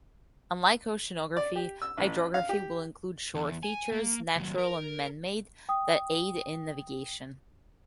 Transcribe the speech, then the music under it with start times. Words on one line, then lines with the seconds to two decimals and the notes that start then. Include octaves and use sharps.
Unlike oceanography, hydrography will include shore features, natural and manmade, that aid in navigation.
1.37 D5
1.56 G4
1.82 E6
1.98 A1
2.34 F5
2.49 G4
3.35 E2
3.63 G#5
3.92 A#3
4.36 D#2 F#3
4.58 A#4
5.69 G5 D#6